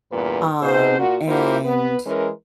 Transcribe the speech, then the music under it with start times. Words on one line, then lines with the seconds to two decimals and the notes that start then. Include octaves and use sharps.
um, and
0.12 E2 G2 A#2 B4
0.61 B2 D#4 G#4 C5
0.98 A#2 F#4
1.28 A#3 E4 F4 G4 C5
1.65 B3 B4
2.06 E3 G#3 C#4 A#4